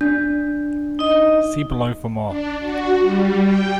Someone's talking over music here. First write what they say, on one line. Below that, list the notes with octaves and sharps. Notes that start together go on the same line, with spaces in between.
See below for more.
D4
D#4 D#5
D4
F#4
G3
G5